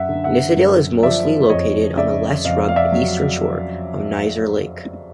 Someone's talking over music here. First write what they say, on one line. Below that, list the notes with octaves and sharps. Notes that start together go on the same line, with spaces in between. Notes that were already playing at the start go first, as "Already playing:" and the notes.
Nissedal is mostly located on the less rugged eastern shore of Nisser Lake.
Already playing: F#2 E5 F#5
D3
E5 F#5
F#2
F3 D5 E5
F2 C#5 D#5
C#3 D5 E5
F2 D#5 F5
F5
D5 E5
F#3